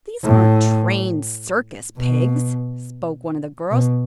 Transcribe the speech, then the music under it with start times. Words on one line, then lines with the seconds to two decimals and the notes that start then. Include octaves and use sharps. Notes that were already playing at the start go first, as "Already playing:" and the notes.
"These aren't trained circus pigs," spoke one of the girls.
0.23 A2
1.97 B2
3.71 B2